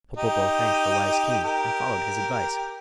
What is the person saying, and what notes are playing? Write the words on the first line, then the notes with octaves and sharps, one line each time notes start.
Popopo thanked the wise king and followed his advice.
D#4 G4
G4 A#4